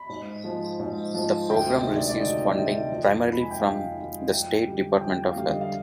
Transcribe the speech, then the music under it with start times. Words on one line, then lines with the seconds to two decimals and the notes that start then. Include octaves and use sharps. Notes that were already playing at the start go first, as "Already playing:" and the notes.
The program receives funding primarily from the state Department of Health.
Already playing: B5
0.09 G#2
0.44 F3 G#3
0.80 G#2
1.14 F3 G#3
1.50 D2 G5
1.73 D#5
1.84 C3 D#3 G#3
1.96 D5
2.09 D5
2.20 D2 D#5
2.55 C3 D#3 G#3
2.90 F2
3.25 D#3 G#3
3.33 B5
3.42 G#5
3.51 G5
3.60 F2 F5
3.95 D#3 G#3
4.31 F2 G5
4.65 D3 G3
5.00 F2 G5
5.24 F5
5.36 D3 G3 F5
5.47 D#5
5.61 F5